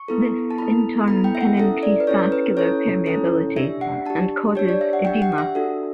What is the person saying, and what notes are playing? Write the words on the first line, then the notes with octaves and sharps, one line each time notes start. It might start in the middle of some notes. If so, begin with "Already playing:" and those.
This in turn can increase vascular permeability and causes edema.
Already playing: C#6
B3 E4 A4
A5
B3 E4 A4 B5
B3 E4 A4 B5
G5
E5
F#5
C#4 E4 A4 E5
D5
B4
C#4 E4 A4 C#5
B4
C#4 E4 A4 C#5
C#4 E4 A4
D4 G4 E5
F#5
D4 G4 A5
D4 G4 C#5
D5
E5
F#5
D4 G4 G5
F#5
F#5
E5
D4 F#4 A4